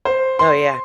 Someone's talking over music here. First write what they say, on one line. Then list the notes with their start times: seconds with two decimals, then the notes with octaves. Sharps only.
Oh, yeah.
0.05 C5
0.39 C6